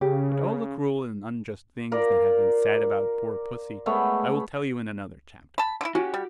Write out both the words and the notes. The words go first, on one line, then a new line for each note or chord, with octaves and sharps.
But all the cruel and unjust things that have been said about poor pussy I will tell you in another chapter.
C#3 G4
F4 A#4 D5
G#3 A3 B3 C#5
A5 B5
D3 E4
C#4 F#4 G4
G3